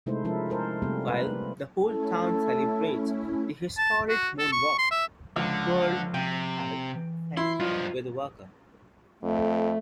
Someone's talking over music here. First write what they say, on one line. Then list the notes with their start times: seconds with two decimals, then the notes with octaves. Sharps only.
While the whole town celebrates the historic moonwalk, Pearl has sex with Walker.
0.06 C3 G#3 A3 D#4 E4 C5
0.24 F3 G#3 C#4 E4 A4 A#4
0.50 A4 A#4 C5
0.82 C3 G3 A3 A#3 C4 A4
1.08 B4
1.26 A3 A#3
1.84 A3 C#4 E4 A4
3.78 A5
4.09 F#4
4.39 A4
4.53 C#6
4.79 C6
4.91 E5
5.36 C#2 D3 F3
6.14 C3 G5
6.95 E3
7.37 E4 C6
7.60 G2 F3 F4 D#5
9.23 F2 A3